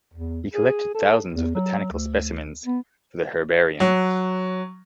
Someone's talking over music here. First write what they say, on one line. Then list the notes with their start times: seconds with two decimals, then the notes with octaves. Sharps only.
He collected thousands of botanical specimens for the Herbarium.
0.13 E2
0.53 G#4
0.94 A4
1.33 E2
1.55 F#3
1.91 D2
2.65 B3
3.80 F#3